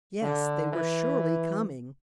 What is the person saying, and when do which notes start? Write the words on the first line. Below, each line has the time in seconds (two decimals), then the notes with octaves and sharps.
Yes, they were surely coming!
0.22 D3
0.73 E3